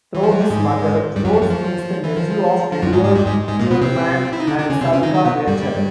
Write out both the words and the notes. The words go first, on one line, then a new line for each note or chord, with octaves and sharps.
Through his mother, Rose, he is the nephew of Eduard Steuermann and Salka Viertel.
E3
F3
F#3
G3
G#2 G#3
G2 G3
F#2 F#3
F3
F#2 F#3
F3
E3
F3
F3
F#2 F#3
G#2 G#3
G#2 G#3
G2 G3
G#2 G#3
G#2 G#3
A#2 A#3
B2 B3
C3 C4
E4
D#4
D3 D4
D3 D4
C#3 C#4
C3 C4
C#3 C#4
D#3 D#4
D#3 D#4
B2 B3
G2 G3